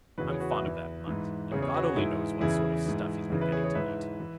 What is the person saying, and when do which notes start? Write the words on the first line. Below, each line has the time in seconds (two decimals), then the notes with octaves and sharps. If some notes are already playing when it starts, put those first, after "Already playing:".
I'm fond of that mutt, and God only knows what sort of stuff he's been getting to eat.
0.18 E2 C#3 E3 F#4 B4
0.29 G#4 C#5
0.40 F#4 B4
0.51 B4 E5
0.62 E2 E3
1.07 G#2 E3
1.52 E2 C#3 E3 G#4 C#5
1.62 G#4 C#5
1.74 F#4 B4
1.85 G#4 C#5
1.96 G#2 E3 E4 G#4
2.41 E2 C#3 E3 E4 G#4
2.86 G#2 E3
3.30 E2 C#3 E3
3.41 B4 E5
3.52 G#4 C#5
3.64 G#4 C#5
3.75 G#2 E3 B4 E5
4.20 E3